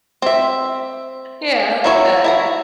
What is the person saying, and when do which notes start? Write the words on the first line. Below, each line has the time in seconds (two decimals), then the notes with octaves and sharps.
Yeah, I like that.
0.22 C4 E5
1.84 F#3 E4 C#5
2.24 E4 A5 A#5